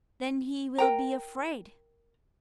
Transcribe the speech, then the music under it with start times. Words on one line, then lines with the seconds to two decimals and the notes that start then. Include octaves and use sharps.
Then he will be afraid!
0.78 A#4 G5 A#5